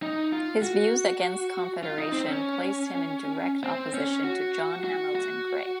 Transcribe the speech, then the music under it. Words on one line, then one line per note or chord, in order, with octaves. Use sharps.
His views against Confederation placed him in direct opposition to John Hamilton Gray.
D#4
F4
F#4
F4
D#4
C4
C#4
C4
C#4
F#4
F#4
F#4